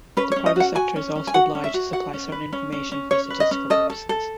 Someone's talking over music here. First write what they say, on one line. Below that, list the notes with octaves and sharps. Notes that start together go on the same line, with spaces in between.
The private sector is also obliged to supply certain information for statistical purposes.
C#4 B4
C#5
C#4
D#5
F#4 F#5
F#4 G#5
C#4
C#4
G#5
F#4 F#5
C#4
E5
F#4
F#4 F#5
C#4
B4
C#4
C#4
C#4
C#4 C#5
B4
D#5
C#4
A4 D#5
A4
A4